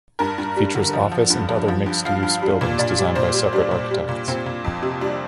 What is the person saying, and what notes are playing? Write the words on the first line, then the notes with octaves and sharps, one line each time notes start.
It features office and other mixed-use buildings designed by separate architects.
G2 A#4
G2
G3
D3
F3
F3
G2
F3
F3
G2
F3 F5
G2
G3
A#2
A#2 D5
G3
A#2 C5
G3
G3 D4
A#2
G3
A#2
A#2 C4
A#2
F2
C3
G3 D4